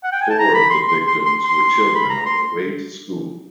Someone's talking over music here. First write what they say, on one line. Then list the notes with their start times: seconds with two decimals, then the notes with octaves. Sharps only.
Four of the victims were children on their way to school.
0.04 F#5
0.12 G5
0.21 G#5
0.30 A5
0.39 A#5
0.54 B5
0.70 C6
0.88 C6
1.07 C6
1.26 C6
1.44 C6
1.95 B5
2.09 A#5
2.26 C6